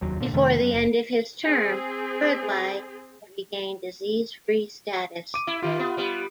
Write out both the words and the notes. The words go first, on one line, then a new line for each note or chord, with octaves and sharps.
Before the end of his term, Uruguay had re-gained disease-free status.
F1 D#2 F#3
G#1 A#2 D3
F2 C3 D#3 A3
F#2
F#1
C4 G#4
D6 D#7
E4
D#3 F4 G4
B3
G3 B3